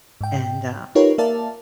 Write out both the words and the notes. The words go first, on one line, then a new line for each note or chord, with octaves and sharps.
and uh
G#2 G5
D#4 F4 G4 A#4 B4 C#5
A#3 A#4 D5 E5 F5 A5